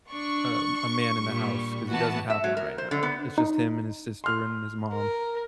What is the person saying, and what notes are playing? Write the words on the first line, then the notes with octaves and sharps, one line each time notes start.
a a man in the house 'cause he doesn't have one right now. It's just him and his sister and his mom.
D4 C#6
A#2 G3
E3 B3 F#4 A5
E5
F#3
A#4
C5
D3
B3
D#4
C6 F6
A#4